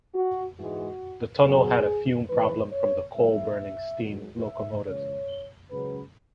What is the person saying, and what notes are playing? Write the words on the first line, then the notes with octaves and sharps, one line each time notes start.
The tunnel had a fume problem from the coal-burning steam locomotives.
F#4
G#2 E3 G#3 F#4
F#2 C#3 F#3 B3 G#4
G#2 E3 G#3 B4
C#5
G#1 G#2 F#3 B3 E5
G#1 G#2 F#3
E5
C#2 C#3 E3 C#5
C#2 C#3 F#3 C#4 B4